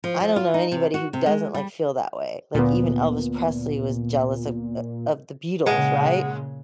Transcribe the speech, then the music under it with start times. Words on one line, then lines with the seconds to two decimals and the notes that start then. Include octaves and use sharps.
I I don't know anybody who doesn't, like, feel that way. Like, even Elvis Presley was jealous of, uh, of the Beatles, right?
0.04 F3
0.20 F3
0.36 F4
0.54 D#4
0.72 C3
0.94 F#4
1.13 C3
1.26 G#3
1.55 G3
2.55 D2 A#2 B3
5.66 A#2 C#3 G#3 F#5